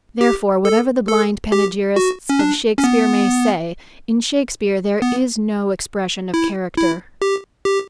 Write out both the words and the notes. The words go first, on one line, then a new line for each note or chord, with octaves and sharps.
Therefore, whatever the blind panegyrists of Shakespeare may say, in Shakespeare there is no expression of character.
G4
A4
A4
G4
F#4
C#4
D4
C#4
B3
B3
E4
E4
G4
G4